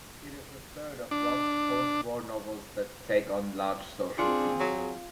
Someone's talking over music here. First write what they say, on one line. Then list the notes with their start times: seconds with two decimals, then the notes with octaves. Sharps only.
It is the third of Roth's postwar novels that take on large social themes.
1.11 D4
4.18 C4 D4 F4 G#4 C#7
4.60 F#3